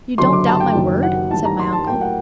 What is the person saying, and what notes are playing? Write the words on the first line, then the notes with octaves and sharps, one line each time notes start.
"You don't doubt my word?" said my uncle.
F#1 F#2 D3 F#3 C6
D6
A5
G5
F#1 F#2 D#3 F#3
F#5
A1 G2 D#3 A5
A#5
C6
A5
A2 F#3 A#3 G5
F#5